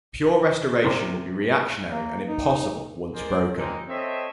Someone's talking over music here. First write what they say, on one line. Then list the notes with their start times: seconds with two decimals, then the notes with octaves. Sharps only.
Pure restoration would be reactionary and impossible once broken.
0.84 C3 A#4 C6
1.92 A#3
2.27 D#4
3.14 A1 G#3 G#4 A#4 C5 D5
3.55 F3 G3 G#3 A#3 C4 D#4
3.88 C4 A4 C#5 D#5 E5